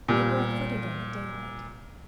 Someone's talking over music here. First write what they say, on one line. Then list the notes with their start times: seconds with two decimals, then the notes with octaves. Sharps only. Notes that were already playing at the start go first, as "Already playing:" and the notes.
They were afoot again, at daylight.
0.08 A#2 G3